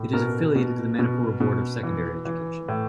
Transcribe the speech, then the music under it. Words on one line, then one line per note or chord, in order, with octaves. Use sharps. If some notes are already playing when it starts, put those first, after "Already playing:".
It is affiliated to the Manipur Board of Secondary Education.
Already playing: A2
B2 A#4
B2
B2
B2
E3
E3
A2